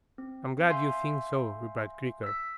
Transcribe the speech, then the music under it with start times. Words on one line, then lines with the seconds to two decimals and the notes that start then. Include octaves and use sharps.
"I'm glad you think so," replied Creaker.
0.18 C4
0.70 E5 F5 G#5 C6 G6 C7
2.23 E6 B6